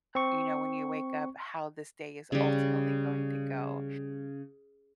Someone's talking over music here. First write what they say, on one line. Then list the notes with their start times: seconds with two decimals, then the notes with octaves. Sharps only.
you know, when you wake up how this day is ultimately going to go.
0.15 C4 C#6
2.32 C#3 G3